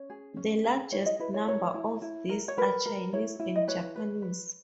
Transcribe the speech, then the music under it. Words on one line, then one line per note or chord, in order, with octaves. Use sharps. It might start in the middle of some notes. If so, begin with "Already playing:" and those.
The largest number of these are Chinese and Japanese.
Already playing: C#4 C#5
G#4
C#4
G#4
E4 C#5
D#5
E4 B4
C#5
A#4 C#5
E4
E4
A#4
C#5
A#4 B4
A#4
E4 C#5
E4
D#5
B4 C#5
B4
B4